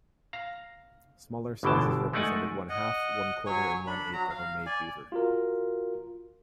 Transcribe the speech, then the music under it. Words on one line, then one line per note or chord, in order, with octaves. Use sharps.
Smaller sizes represented one-half, one-quarter, and one-eighth of a Made-Beaver.
F5 A#5
G1 B2 D3 E3 G5 A5
G#3 A3 D#4 D5 F#5 G#5
D#5 F#5
F#3 C#5 G#5 C#6
D4 B5
F#3 A#5
F5
D5 G#5
F4 F#4 A#4